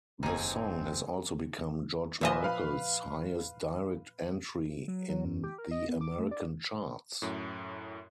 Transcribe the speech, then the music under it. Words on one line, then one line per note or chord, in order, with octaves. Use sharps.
The song has also become George Michael's highest-direct entry in the American charts.
F#1 D#2 C4 D#4 G#4
A#2 F3 B4 D#5 E5 G#5
B4 F5 B5
F#3
F#3
F#2
G4
A#4
D#5
B3
D6
A3
D5
F#2 A2